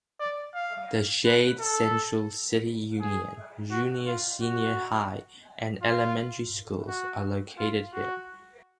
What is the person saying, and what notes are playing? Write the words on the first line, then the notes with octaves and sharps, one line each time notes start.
The Shade-Central City Union, Junior-Senior High, and elementary schools are located here.
D5
F5
B4
A4
G#4
F#4
F4
F#4
F4
F#4
F4
F#4